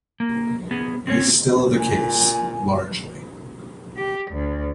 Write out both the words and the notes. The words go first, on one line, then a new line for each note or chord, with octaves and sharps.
It is still the case, largely.
A#3
B3 G#4
C4 C#4 C#5
A#2 G#5
G4
D2